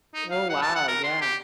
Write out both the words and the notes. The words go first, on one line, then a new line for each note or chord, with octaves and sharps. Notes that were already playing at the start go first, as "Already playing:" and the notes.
Oh, wow, yeah.
D#4
F5
F#5
A5
F#5
A#4
C6
G4